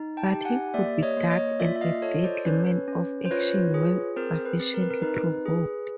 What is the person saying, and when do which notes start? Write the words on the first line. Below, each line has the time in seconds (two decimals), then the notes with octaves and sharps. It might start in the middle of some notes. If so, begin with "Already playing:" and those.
But he could be dark and a deadly man of action when sufficiently provoked.
Already playing: D#4
0.17 G5 A5
0.31 G4
0.45 F#5 G#5
0.74 A#3 D5 E5
1.03 C#5 D#5
1.17 A#3
1.31 C#5 D#5
1.59 F4 D5 E5
1.76 E5
1.81 D#5 F5
2.02 A4 C#5 D#5
2.24 C5 D5
2.45 C#4 B4 C#5
2.88 C#4
3.25 C5
3.31 F4 B4 C#5
3.74 G#4
4.16 C4 A#4 C5
4.45 B4
4.60 C4
4.74 A#4
4.82 B4
4.90 A#4
5.02 D#4 B4
5.46 G#4